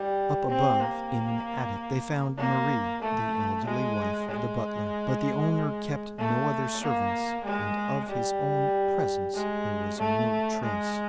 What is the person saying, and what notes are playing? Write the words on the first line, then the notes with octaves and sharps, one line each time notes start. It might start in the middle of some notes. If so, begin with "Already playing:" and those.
Up above, in an attic, they found Marie, the elderly wife of the butler; but the owner kept no other servants, and of his own presence there was no trace.
Already playing: G3
C4
A#3
A#3
A3
G#3
G#3
A3
A#3
G#3
G3
G#3
A3
G#3